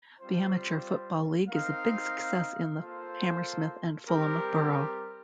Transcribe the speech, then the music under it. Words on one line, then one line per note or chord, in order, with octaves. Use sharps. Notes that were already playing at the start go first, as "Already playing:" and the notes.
The amateur football league is a big success in the Hammersmith and Fulham borough.
G3 C4 F4 C5
C4 D#4 A#4 F5
A#3 F4 A4 C5
G3 C4 G4 A#4